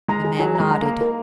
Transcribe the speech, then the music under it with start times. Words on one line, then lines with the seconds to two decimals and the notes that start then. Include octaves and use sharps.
The man nodded.
0.08 G#3 A#5
0.25 G#4
0.39 F#3 G#4
0.55 G#3 A#5
0.71 A#5
0.81 A#3 A#5
1.01 A#4